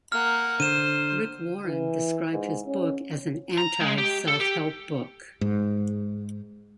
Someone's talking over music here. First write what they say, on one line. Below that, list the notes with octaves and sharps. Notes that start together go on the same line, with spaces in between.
Rick Warren described his book as an anti-self-help book.
A#3 F#5 F6
D3 C5 D#7 E7
E3
G#2
C#4
A#5
G#3
G4
A4
G4
G#2